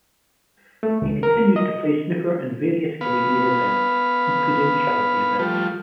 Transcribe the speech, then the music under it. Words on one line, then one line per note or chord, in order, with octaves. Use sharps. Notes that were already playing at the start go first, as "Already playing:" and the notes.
He continues to play snooker in various Canadian events, including charity events.
A3
C#2
A#4
D#5
B3 B4 F5
F3 G3 A3 F4